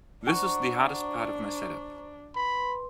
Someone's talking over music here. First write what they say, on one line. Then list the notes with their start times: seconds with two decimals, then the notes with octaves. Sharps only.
This is the hardest part of my setup.
0.27 D4 F#4 C5 A#5 C#6
2.35 B4 B5 C6